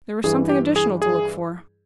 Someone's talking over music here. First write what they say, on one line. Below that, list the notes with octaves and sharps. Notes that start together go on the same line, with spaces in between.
There was something additional to look for.
G2 E3 G#4
G4
G#4
G#4